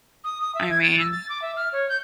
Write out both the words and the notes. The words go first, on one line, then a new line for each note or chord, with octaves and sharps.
I mean
D#6
D#6
E5
G#6
A6
E6
A6
D6
E5
F6
C#5
G6